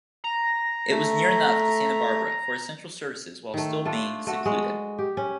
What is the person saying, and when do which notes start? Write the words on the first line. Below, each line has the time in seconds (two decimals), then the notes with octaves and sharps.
It was near enough to Santa Barbara for essential services while still being secluded.
0.24 A#5
0.91 A3
3.54 D#3 A3
3.85 A3 D4 F4
4.27 A3 F#4
4.45 G#3
4.99 G4
5.17 C#4